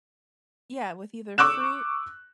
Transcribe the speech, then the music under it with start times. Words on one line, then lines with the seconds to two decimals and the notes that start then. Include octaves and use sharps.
Yeah, with either fruit,
1.38 C#6 D6 E6 F#6 E7